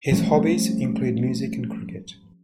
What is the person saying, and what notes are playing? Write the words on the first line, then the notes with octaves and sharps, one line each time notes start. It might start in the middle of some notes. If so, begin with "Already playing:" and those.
His hobbies include music and cricket.
F3 G3 A3 C#4